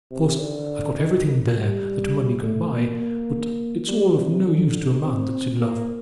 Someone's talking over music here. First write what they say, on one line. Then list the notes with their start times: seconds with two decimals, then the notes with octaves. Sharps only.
Of course I've got everything there that money can buy,--but it's all of no use to a man that's in love.
0.11 C3
0.40 D3
0.98 D#3
1.56 G3
2.43 A3
2.71 A#3
3.88 G3
4.16 C3
4.45 D3
5.02 C4
5.61 A#3